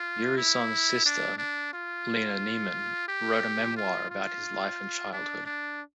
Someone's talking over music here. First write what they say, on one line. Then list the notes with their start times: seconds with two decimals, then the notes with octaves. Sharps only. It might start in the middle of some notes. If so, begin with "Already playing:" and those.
Urysohn's sister, Lina Neiman wrote a memoir about his life and childhood.
Already playing: F4
0.38 E4
1.06 D4
1.38 D4
1.73 F4
3.08 G4
3.77 F4
4.10 F4
5.13 D4
5.46 D4